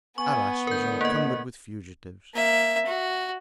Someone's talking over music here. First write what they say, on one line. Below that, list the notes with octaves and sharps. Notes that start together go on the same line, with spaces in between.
Arras was encumbered with fugitives.
B3 G#5 C#6
A2 D3 A#4 G6
A#3 D#5
A#3 E5
F#4